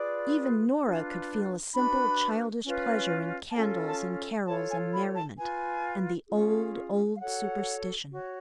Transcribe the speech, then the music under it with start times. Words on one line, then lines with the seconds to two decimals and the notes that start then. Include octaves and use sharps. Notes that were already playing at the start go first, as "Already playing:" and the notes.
Even Norah could feel a simple childish pleasure in candles and carols and merriment, and the old, old superstition.
Already playing: F4 G#4 B4 D5
0.83 D4 F4 B4
1.73 D4 F#4 B4 B5
2.65 C#4 F4 B4
3.50 A5
3.56 C#4 F4 A4 G#5
3.87 A5
4.47 F4 A4 C#5 A5
4.70 G#5
4.93 B5
5.15 A5
5.38 F4 B4 G#5
6.29 C#4 F4 G#4
7.16 F5
7.20 F#4 A4 C#5 F#5
8.12 F#4 C#5